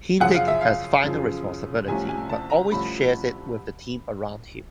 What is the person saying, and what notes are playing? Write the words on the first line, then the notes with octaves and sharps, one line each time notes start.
Hiddink has final responsibility, but always shares it with the team around him.
F#2 C#3 F3 F#5
F5
E5
F5
F#2 C#3 F3
C2 C3 F3 A3 C#4 G#5
G#5
A5
A#5
C2 C3 F3 A3 C#4 B5